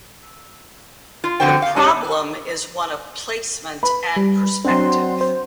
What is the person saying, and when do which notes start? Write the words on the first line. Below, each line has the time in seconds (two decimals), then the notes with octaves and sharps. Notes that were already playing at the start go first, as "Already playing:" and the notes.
The problem is one of placement and perspective.
1.24 F4
1.40 F2 D3 C4 F#4 C5 G5
1.62 F5
1.76 G#3 C#4 G4 C#5
3.83 B4 B5
4.16 G3
4.65 F#3 C4 D4 F#5 C6
5.21 C5